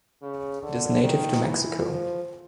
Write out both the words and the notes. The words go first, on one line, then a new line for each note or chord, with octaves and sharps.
It is native to Mexico.
C#3
D3
D#3
E3
F3